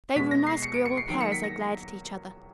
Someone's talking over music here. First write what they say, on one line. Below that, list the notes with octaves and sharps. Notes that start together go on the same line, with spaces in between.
They were a nice agreeable pair as they glared at each other.
B2 G#3 B6
A#6
C7
C#7
D7
C#7
C7
D#3 F#3 A#3 D7
C#7
B6
A#6